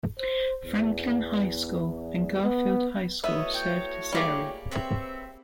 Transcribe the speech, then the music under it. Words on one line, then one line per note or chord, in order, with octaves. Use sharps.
Franklin High School and Garfield High School serve this area.
C5
E2
B3
A2 B3 F#4 C#5 D#5 E5
G5
G3 A#3 G#4 G5 D6
C4 B4 C#5 E5